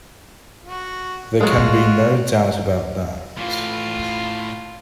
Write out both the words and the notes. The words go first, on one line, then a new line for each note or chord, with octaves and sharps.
There can be no doubt about that.
F#4
F#3 G#3 F4 F#4
A2 E3 F4